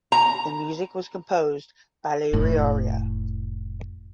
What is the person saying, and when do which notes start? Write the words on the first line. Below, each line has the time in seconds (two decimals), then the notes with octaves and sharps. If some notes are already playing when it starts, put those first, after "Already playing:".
The music was composed by Ilaiyaraaja.
0.12 A#5
2.33 F1 A2